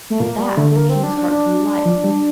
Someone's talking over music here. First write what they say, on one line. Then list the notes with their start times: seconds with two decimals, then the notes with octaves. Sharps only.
At that the king's heart grew light.
0.10 A3
0.20 A#2 A#3
0.38 G3
0.57 D3 A3
0.71 A3
0.76 A#3
0.90 C4
1.03 D4
1.17 D4
1.31 D4
1.86 F3
2.04 G3